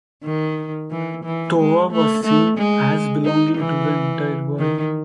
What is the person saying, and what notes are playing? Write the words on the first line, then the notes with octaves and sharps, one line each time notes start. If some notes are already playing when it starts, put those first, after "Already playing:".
Tova was seen as belonging to the entire world.
D#3
E3
E3
G#3
A3
A3
G#3
D#4
E3
D#3